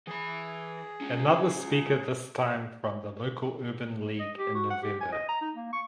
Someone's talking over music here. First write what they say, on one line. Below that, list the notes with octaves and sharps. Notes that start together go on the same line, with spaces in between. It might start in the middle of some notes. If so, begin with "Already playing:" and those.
Another speaker this time from the local Urban League in November.
E3 G#4 B5
C#4 F4
D#5
G4
F#4
F#5
G4
G#5
D#5
A#5
D#4
A#3
C#6